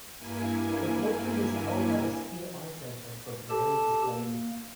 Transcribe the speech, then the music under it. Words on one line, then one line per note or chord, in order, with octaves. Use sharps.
The portrait is held by the City Art Centre but rarely displayed.
G2 A#3 E4 G#5
G4 A4 A5
A#3